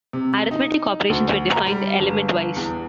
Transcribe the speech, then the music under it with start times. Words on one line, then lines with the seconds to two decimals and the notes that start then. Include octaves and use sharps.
Arithmetic operations were defined elementwise.
0.13 C3
0.51 D#4
1.10 D2
1.52 A#5
1.67 G3
1.99 G1
2.56 E2